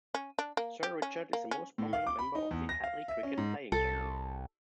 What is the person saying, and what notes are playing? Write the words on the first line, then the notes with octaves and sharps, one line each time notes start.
Sir Richard is the most prominent member of the Hadlee cricket playing family.
C#4
D4
A#3
G4
C#4
A#3
C#4
A2
F5
D6
B5
D#4
E2
A#6
F5
E5
C#4
G#2
C2 A4